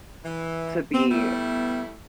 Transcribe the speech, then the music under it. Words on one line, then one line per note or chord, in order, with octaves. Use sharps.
to be
E3
B3 C4
G3 A3 E4